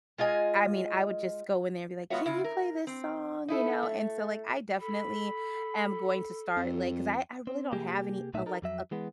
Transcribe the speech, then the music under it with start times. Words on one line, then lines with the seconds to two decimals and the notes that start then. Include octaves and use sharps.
I mean, I would just go in there and be like, "Can you play this song?" You know, and so, like, I definitely am going to start, like 'cause I I really don't have any, uh, like, a
0.18 G#3 F4 D#5 G#5
2.10 G#3 B3 F4 F#4 C#5 E5
2.26 C#3 E4 F4
2.44 A#4
2.87 C4
3.48 D#4 E4 A4
3.83 A3
4.80 A4 B5
6.56 F2
7.47 C4
7.72 C3 A#3 G4 G#4
8.34 B1 A#2 A3 D#4 E5
8.46 D#4 A4 A#4
8.62 F2 F#3 E5
8.91 E3 G#3 B3